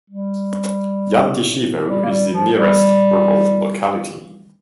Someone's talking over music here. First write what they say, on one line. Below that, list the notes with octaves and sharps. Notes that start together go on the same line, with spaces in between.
Yantyshevo is the nearest rural locality.
G3
G3
A#3
G3
F3
G3